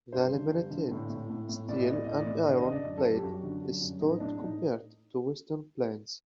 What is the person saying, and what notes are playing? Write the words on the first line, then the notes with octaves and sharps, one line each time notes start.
The laminated steel and iron blade is stout compared to western planes.
G2 C5
D3
G2
D3
A2
A2
A2
A2
A2 D5
D#5
A2
D5
A2 D#5
D5
A2
D3 D#5
D5
D#5
D3
D5
F#2
A4
F#2
G4
F#2 F#4
D3
F#2
F#2
A2 D#4
A2 D4
A2 D#4